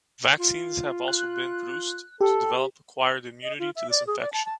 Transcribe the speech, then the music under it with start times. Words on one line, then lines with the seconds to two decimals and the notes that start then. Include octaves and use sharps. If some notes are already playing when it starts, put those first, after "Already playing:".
Vaccines have also been produced to develop acquired immunity to this infection.
0.40 F4
1.08 F#6
2.21 G4 A4
3.43 D#5
3.59 F4
3.76 E5
3.90 D5
4.07 G#4
4.20 D5
4.33 A5
4.46 A5